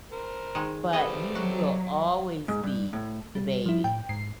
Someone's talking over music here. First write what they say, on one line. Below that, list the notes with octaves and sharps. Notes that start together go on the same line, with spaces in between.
But you will always be the baby,
A#4 C5
D#3 G#3
G3 A3 B3 C4 C#5 D#5
F#3 F#4
G#2
G2
A2
G3
F3 E4
A2 G5
G#2 C7